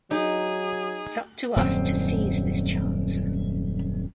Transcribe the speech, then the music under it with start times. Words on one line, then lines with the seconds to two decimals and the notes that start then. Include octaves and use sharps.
It's up to us to seize this chance.
0.11 F#3 D#4 G#4
1.56 D#1 F#2 F3 C4